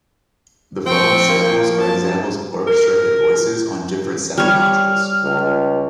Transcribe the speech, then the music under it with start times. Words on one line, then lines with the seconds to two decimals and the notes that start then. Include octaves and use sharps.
The following samples are examples of orchestra hit voices on different sound modules.
0.86 F3 C4 G5 C#6
1.29 A#3
1.79 A5
2.67 A#4
4.38 G3 C#5 F6
5.23 C#2